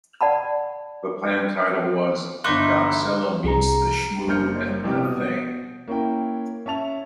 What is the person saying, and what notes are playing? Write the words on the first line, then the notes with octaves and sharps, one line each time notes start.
The planned title was "Godzilla Meets the Shmoo and The Thing".
D5 F#5 A5 B5
G1 A3 D#4 E4 C6 D6 F#6
C2 G#4 A#5
F#1 A#3 C5 F6 G6 C#7
A1 C3 G4
B2 D#6
A#3 C#4 E4 G5
C#4 E5 A5 F7